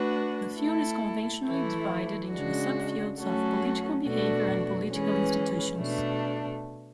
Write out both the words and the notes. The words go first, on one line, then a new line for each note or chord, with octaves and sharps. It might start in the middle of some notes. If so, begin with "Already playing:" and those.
The field is conventionally divided into the sub-fields of political behavior and political institutions.
Already playing: A3 D4 F#4 B4
A3 E4 A4
E3 A3 E4
C#3 G#3 D4 F#4
F#3 A3 C#4 F#4 A4
B2 A3 D4 F#4
E3 G#3 C#4 G#4 B4
B2 A3 D4